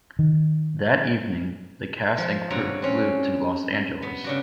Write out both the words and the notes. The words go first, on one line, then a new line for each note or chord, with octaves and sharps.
That evening, the cast and crew flew to Los Angeles.
D#3
F3
G2 C4 F#4 C#5 A#5
C4 C#4
B3
C#3 D4 F#4